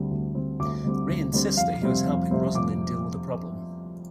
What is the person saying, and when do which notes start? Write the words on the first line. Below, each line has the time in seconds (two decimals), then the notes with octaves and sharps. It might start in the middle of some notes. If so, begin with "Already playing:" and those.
Ray insists that he was helping Rosalyn deal with a problem.
Already playing: D2 D3 G3 C4
0.11 D2
0.35 D3 G3 C4
0.60 D2 D6
0.84 D3 G3 C4
1.09 D2
1.33 D3 G3 C4
1.57 F2 F5
1.82 C3 G3 C4
2.06 F2
2.31 C3 G3 C4
2.55 F2 D6